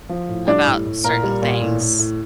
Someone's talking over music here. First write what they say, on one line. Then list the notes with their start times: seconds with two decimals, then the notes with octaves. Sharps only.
about certain things,
0.09 F3
0.28 A2
0.47 G3 D4 D5
0.66 A2
0.85 A2
1.04 A#2 A#4
1.23 G3
1.42 A#2
1.61 A2
1.80 A2
1.99 A2